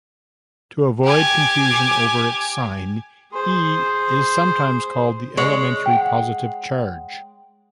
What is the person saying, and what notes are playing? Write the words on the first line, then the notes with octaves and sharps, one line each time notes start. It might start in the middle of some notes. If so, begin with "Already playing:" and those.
To avoid confusion over its sign, "e" is sometimes called the elementary positive charge.
G4 G#5
G#4 C5
G#3 C#5
F#5 G5